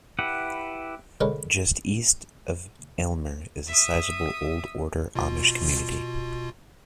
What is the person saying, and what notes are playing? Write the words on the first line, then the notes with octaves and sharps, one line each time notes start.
Just east of Aylmer is a sizable Old Order Amish community.
E4 G4 B4 F#5
D3 G#3 D4 A#4 B4 C#5
E5 D#6
B2 F4